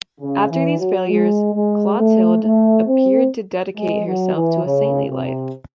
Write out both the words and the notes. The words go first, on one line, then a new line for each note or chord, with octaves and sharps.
After these failures, Clotilde appeared to dedicate herself to a saintly life.
C#3
E3
F#3
G#3
G#3
A3
A3
C4
G#3
F#3
E3
C#3
C3